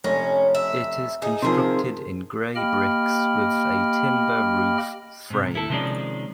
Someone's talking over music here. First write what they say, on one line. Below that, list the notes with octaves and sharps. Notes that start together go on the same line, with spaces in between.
It is constructed in grey bricks with a timber roof frame.
F1 C#4 A#6
E5
D#4 G#4
C3 D#3 F3 G#4 C5
A#3 G4 D#5 G5 B5 F6
G#2 C3
E4 A4
C3 D#3 F3 G#3 C#4 D5